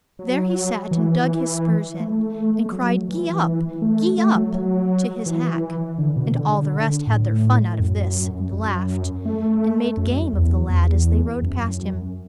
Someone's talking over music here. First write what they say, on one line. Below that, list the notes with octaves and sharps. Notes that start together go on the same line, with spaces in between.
There he sat and dug his spurs in, and cried, "Gee up! gee up!" to his hack. And all the rest had their fun out of this, and laughed, and made game of the lad as they rode past him.
F#3
E3
A3
A3
F#3
E3
A3
A3
F#3
F#3
E3
D3
B2
D3
A2
F#2
F#2
A3
F#2
E2
E2
F#2